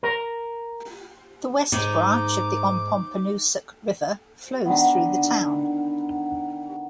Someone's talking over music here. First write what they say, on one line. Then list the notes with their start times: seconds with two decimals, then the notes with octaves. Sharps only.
The West Branch of the Ompompanoosuc River flows through the town.
0.03 A#4
1.72 G#2 D#4 D6
4.65 D3 D#3 B3